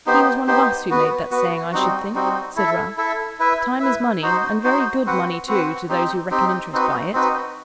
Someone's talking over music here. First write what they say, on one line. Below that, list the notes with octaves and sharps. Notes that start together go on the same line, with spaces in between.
'He was one of us who made that saying, I should think,' said Ralph. 'Time is money, and very good money too, to those who reckon interest by it.
B3 D#4 G4 C5
B3 D#4 G4 C5
B3 F#4 B4
B3 F#4 B4
G3 C4 D#4 F#4
G3 C4 D#4 F#4
E4 A4 E5
E4 A4 E5
E4 B4 E5
E4 B4 E5
D#4 F#4 C5
D#4 F#4 C5
C4 F#4 B4 F#5
C4 F#4 B4 F#5
C4 D#4 G4
C4 D#4 G4
C4 D#4 F#4 B4
C4 D#4 F#4 B4